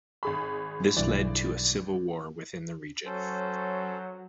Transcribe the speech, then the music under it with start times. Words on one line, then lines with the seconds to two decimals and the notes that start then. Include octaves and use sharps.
This led to a civil war within the region.
0.23 G#1 G#4 B5
0.97 B1 G2 E3 D5
3.06 F#3 C#4 A4 C5